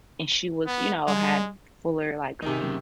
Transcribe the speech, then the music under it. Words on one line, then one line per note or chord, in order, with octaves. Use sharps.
and she was, you know, had fuller like
B3
G3 G#3
C3 D#3 D#4 G#4
F#2 C#3